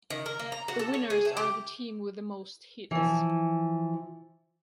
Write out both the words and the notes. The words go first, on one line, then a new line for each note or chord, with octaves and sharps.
The winners are the team with the most hits.
D#3
A#4
A#3
A#5
F#4
A4
C#5
G#4
A3
G4
E3 F3